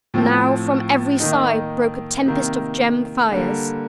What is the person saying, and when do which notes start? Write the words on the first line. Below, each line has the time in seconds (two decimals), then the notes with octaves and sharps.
Now from every side broke a tempest of gem fires.
0.14 A2 F3 C4
1.20 D#3 A#3 D#4
2.26 C3 D#3 A#3
3.32 D3 G3 A#3